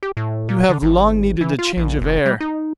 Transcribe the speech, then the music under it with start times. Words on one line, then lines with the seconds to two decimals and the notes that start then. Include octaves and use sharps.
You have long needed a change of air.
0.03 G4
0.17 A2
0.49 A#2
0.69 D3
0.82 G#1
1.41 E3
1.59 F4
1.77 A#1
2.01 F1
2.26 G3
2.40 D#4